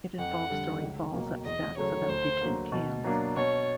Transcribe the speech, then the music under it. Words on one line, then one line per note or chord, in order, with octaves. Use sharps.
It involves throwing balls at stacks of empty tin cans.
F2 F#5
D3 G3
C#2
B2 F#3 A#3
E2 D#5
C#3 F#3 A3 C#5
D2 C5
D3 F#3 A#3
B2
F#3 A#3 D4
B2 C#5